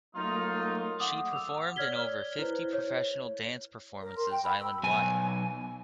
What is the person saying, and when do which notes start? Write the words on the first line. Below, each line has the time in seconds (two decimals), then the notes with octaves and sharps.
She performed in over fifty professional dance performances island wide.
0.15 F#3 A3 A#3 D#4 F4
1.00 F#5 D6 D#6
1.33 E6 F7
1.76 C#5 D5 F6 G#6 B6 G7
2.39 E4 B4 C5
2.73 C#5
4.02 A#4
4.17 C6
4.32 G5
4.44 B5
4.61 E6
4.83 B1 G#5